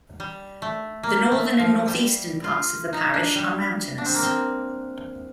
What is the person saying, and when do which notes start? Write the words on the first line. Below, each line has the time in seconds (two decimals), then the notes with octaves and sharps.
The northern and northeastern parts of the parish are mountainous.
0.20 G3
0.62 A3
1.03 A#3
1.32 A3
1.60 F3
1.88 G3
2.44 F4
2.93 D#4
3.14 D4
3.35 G3
3.98 D4
4.05 C4
4.14 A#3
4.23 C4